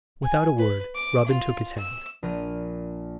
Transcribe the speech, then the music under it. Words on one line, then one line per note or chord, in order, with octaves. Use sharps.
Without a word, Robin took his hand.
G#5
B4
D6
F4
E6
A#1 A#4 D#7